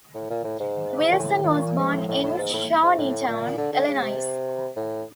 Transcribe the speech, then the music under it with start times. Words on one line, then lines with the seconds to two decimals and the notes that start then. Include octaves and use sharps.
Wilson was born in Shawneetown, Illinois.
0.15 A2
0.30 A#2
0.44 A2
0.60 G#2
1.12 A#2
1.19 A2
1.44 A2
1.49 A#2
1.79 G#2
1.93 A2
2.08 A2
2.23 A2
2.38 G#2
2.53 A2
2.83 G#2
2.98 A2
3.28 A#2
3.57 D3
3.73 D3
3.88 C#3
4.02 C3
4.76 A2